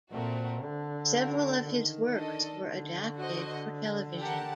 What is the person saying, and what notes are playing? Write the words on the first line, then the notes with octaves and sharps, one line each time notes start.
Several of his works were adapted for television.
A#2 A3 C4 F#4 A#4
D3
A#3 F#4 A#4
D#3
D4 A4 D#5
D3
F#4 C5 D#5
G4 A#4 F#5 A5